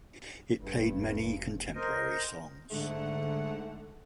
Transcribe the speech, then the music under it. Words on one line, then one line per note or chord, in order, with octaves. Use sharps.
It played many contemporary songs.
F1 G2
A#4 C5 D#5
G#2 D3 A3 F#5